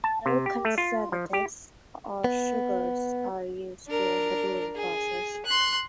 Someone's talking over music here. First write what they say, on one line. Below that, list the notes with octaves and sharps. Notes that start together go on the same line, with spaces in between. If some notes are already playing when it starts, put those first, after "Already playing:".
No conservatives or sugars are used during the brewing process.
A5
C3
G4
A3
F4
F3
G4
B3
D4 A#4
G#4
C6 F#6